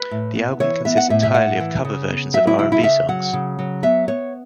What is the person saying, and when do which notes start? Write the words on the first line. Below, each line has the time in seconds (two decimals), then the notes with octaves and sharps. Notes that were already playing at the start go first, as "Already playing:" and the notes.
The album consists entirely of cover versions of R and B songs.
Already playing: B4
0.11 A2
0.35 B3
0.60 E3 C#5
0.85 B3 E5
0.97 F#5
1.10 A2 E5
1.23 E5
1.34 A2 F#5
1.60 E3
1.85 C#3
2.09 B3
2.33 F#3 E5
2.47 E4
2.58 C#3 E4
2.72 E4
2.83 C#3 E5
3.09 F#3 F#5
3.33 C#3
3.59 F#3
3.83 B3 E5
4.08 B3 C#5